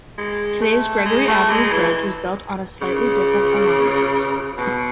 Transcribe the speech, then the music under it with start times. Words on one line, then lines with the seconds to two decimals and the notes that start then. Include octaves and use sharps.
Today's Gregory Avenue Bridge was built on a slightly different alignment.
0.18 G#3
0.61 A3
1.06 G#3
1.28 A3
1.50 G#3
1.72 E3
2.82 C#3
4.58 B2